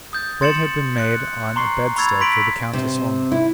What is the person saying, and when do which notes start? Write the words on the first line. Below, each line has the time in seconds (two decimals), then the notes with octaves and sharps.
A bed had been made on a bedstead for the countess only.
0.13 D#6 G6 A6
0.41 C6 A6 C#7 E7 F#7
0.98 F#6 C#7
1.56 A#5 C6 C#6 C7
1.96 B5 C#6 E6 G#6 A6 F7
2.20 C6 B6 D7 F#7
2.73 C3
3.32 E4